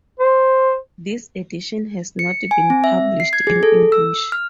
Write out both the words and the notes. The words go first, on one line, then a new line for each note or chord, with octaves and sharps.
This Edition has not been published in English.
C5
C#7
G#5
C4
E5
C7
G#6
G#4
A4
E6
F6